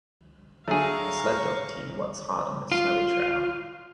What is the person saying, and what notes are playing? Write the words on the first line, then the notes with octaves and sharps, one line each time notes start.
A sleddog team works hard on this snowy trail.
D3 F#3 A3 G#4 F5 A#5 C#6
F6
F4